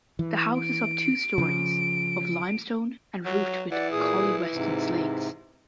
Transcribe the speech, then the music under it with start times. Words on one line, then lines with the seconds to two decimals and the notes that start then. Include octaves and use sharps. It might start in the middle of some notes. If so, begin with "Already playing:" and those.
The house is of two stories, of limestone and roofed with Collyweston slates.
0.19 E3
0.60 D7
1.38 C#3 F3
3.25 F#3
3.72 E3 D5 F#5
3.92 A#2 G#4 D#6
4.53 G#2 C3